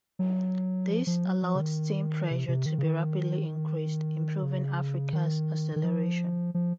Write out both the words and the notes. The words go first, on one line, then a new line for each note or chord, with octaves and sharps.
These allowed steam pressure to be rapidly increased, improving "Africa"s acceleration.
F#3
F3
F3
F#3
F3
C#3
D#3
C3
C3
D#3
C#3
D#3
C#3
D#3
D#3
F3
F3